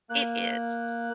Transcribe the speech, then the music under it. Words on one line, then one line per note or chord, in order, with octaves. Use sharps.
It is.
A#3 F#6